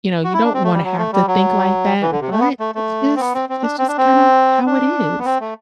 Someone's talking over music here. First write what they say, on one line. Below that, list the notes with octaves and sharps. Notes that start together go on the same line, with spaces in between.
you know, you don't wanna have to think like that, but it's just it's just kinda how it is.
F#4
E4
D4
C4
A3
G3
F#3
A3
G3
F#3
E3
D3
C3
A3
B3
A3
A3
C4
B3
C4
C4
D4
C4
D4
C4
D4
B3
C4
A3